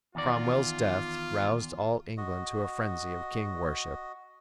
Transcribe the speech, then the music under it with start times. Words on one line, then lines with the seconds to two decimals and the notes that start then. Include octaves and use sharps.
Cromwell's death roused all England to a frenzy of king-worship.
0.15 E2 D#3 F4 D5
2.18 F#4 D#5